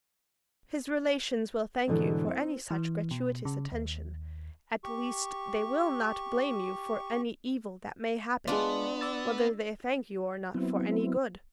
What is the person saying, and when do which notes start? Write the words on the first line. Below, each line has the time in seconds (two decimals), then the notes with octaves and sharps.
His relations will thank you for any such gratuitous attention: at least they will not blame you for any evil that may happen, whether they thank you or not for any good.
1.88 G#2 B2 D3 E3
2.27 C4
2.71 E3
3.11 B2
3.45 C#3
3.72 D#2
4.84 G4 C#6
8.47 G#3 B3 D4 F4 D5
9.01 D5 E6 A6
10.55 F#3 B3 C4 E4